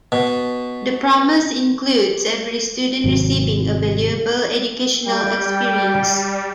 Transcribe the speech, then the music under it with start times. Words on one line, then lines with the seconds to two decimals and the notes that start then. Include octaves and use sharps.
The promise includes every student receiving a valuable educational experience.
0.12 B2
3.04 G#1 C3 F#3
5.06 G3 G5